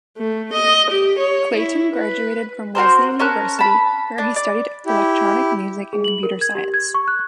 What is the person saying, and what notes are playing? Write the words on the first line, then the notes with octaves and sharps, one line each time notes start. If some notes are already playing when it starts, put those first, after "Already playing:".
Clayton graduated from Wesleyan University, where he studied electronic music and computer science.
A3
D#5
G4
C#5
E4
B4
C4 F#4 A#4 C5
C#4 A#4 A5 F#6
A5 B5
D4
D5
E4 G4
G#4
F#7
A#4
G#6
G4
G#6
C#6
F#6